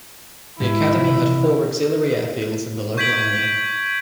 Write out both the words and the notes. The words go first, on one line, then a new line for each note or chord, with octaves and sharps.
The Academy had four auxiliary airfields in the local area.
G#2 G#3 A3 E4
C3 E3
C#6 G6 G#6 B6 D7 F#7
G#6